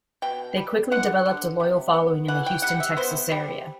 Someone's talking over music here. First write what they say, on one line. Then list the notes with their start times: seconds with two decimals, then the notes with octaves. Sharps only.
They quickly developed a loyal following in the Houston, Texas area.
0.22 B2 G5
0.57 G3
0.92 D3 F#5
1.26 D3
1.60 C3
1.94 B3
2.28 E3 F#5
2.46 G5
2.62 G3 F#5
2.80 E5
2.97 B3 C5
3.31 G3